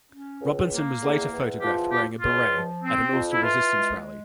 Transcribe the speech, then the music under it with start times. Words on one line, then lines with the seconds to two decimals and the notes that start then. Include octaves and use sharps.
Robinson was later photographed wearing a beret at an Ulster Resistance rally.
0.10 C#4
0.41 C#2
0.71 A#3
1.02 E2
1.32 E2
1.61 F3 G4
1.92 A#3 G4
2.21 C#2 F4
2.52 F3
2.83 C4
3.12 F2
3.33 E4
3.43 E3 F4
3.72 G#3